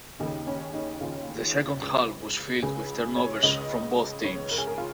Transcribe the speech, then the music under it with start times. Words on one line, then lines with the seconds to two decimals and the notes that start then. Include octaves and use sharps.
The second half was filled with turnovers from both teams.
0.20 D#2 C#3 D#4
0.47 C#4
0.73 D#4
1.01 D#2 C#3 F4
1.81 C#2 C#3
2.63 C#2 C#3 G#4
3.16 C#5
3.43 C#2 C#3 D#5
4.24 C#2 C#3 C#5
4.51 A#4
4.58 G#4
4.67 A#4
4.78 F4